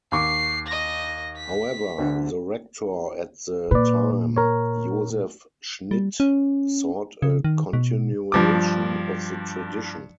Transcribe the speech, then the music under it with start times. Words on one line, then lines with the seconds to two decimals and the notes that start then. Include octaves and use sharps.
However, the rector at the time, Josef Schnitt, sought a continuation of the tradition.
0.12 D#2 C#6 D6 C7
0.67 D#5 A#6
1.37 B6
1.98 D2 D3
3.71 A#2 B4 D5
4.36 A#4 C#5
5.91 G3
6.20 C#4
7.22 C#3
7.44 D#3
7.73 B2
8.32 G2 F3 D6